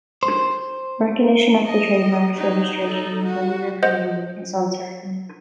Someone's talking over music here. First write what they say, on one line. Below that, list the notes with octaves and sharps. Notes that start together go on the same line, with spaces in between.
Recognition of the trademark's registration within the European Union is uncertain.
C5
D#5
F#3 D#4
D#4 A4
F#4
C5 D#5 F#5